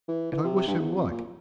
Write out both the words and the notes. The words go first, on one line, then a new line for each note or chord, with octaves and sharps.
And I wish him luck.
E3
E3
C3
C3
G2
E2
F2
A#2